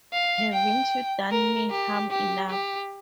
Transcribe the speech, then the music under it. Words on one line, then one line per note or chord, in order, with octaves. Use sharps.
Haven't you done me harm enough?
F5
G5
A#4
G4
G4
G4